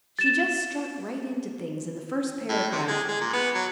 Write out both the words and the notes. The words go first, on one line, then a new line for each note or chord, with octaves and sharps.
She just struck right into things in the first paragraph.
A6 E7
A2
C3
G#3
G#3
A#2
B3
F#3